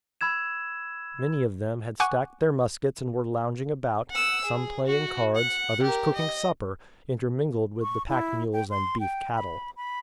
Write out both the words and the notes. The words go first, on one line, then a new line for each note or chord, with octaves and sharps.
Many of them had stacked their muskets and were lounging about, some playing cards, others cooking supper, intermingled with the pack-mules and beef cattle.
B5 E6 G#6 E7
F#5 G#5 C#6 D6 F#6
F#5 E6
G#4
F#4
F#5
G4 A#4
D#5
C#6
E4
G5
C6
G5
B5
B5